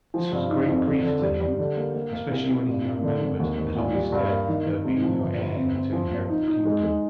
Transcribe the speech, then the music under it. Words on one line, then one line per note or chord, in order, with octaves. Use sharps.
This was a great grief to him, especially when he remembered that on his death there would be no heir to inherit the kingdom.
F3
G2
D#4
F2
D3
D3
G3
G3
D3
A#3
A#3
A#3
C2
C2
G2
A#3
D3
G#1
D#2
D#2
A#2
G3
G2
A#3
D#3
D#3
C3
F3
G1
G1
C4
C4
F3
A#1
D#4
D#4
G#3
G#3